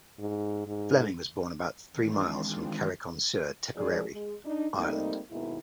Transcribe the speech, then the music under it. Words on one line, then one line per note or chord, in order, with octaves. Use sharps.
Fleming was born about three miles from Carrick-on-Suir, Tipperary, Ireland.
G#2
G#2
D#3 E3 G#3 C4 D4 F4
F2 D#3 F3 G#3 G#4 D5
G#3
D4 D#4
G3 A3 A#3 C4 D#4
D#2 G#2 B2 D#3 E4